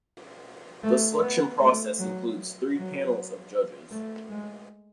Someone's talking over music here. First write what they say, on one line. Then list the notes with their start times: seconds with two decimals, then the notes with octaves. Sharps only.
The selection process includes three panels of judges.
0.83 A3
1.22 B3
1.60 A3
1.99 F#3
2.75 F#3
3.91 A3
4.29 G#3